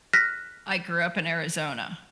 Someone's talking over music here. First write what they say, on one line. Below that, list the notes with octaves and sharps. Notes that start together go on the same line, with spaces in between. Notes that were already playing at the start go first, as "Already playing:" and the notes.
I grew up in Arizona.
F6 F#6 A#6 B6